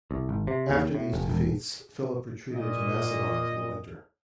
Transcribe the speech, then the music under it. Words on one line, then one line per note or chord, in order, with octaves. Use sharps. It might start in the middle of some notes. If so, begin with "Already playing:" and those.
After these defeats, Philip retreated to Macedon for the winter.
C2
G#1
C3
D#2
A2
F1
E1
A#2 D#5